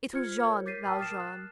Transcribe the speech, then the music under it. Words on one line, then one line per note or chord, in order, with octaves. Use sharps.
It was Jean Valjean.
F4 C5 F6 G#6 C#7
A#4 C#5
D6 G6 A6 B6 C7 D#7
A#4 G5 A5 D#6 F6
D6 F6 A6 C7 E7
F#6